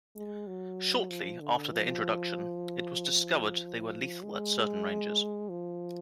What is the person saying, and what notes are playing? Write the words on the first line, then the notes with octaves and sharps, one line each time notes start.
Shortly after their introduction it was discovered they were lethal at certain ranges.
G#3
F#3
F3
D3
F3
G#3
F3